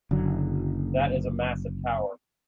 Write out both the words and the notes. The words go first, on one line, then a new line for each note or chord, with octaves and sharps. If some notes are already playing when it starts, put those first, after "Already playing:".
That is a massive tower!.
F#1 D3 F#3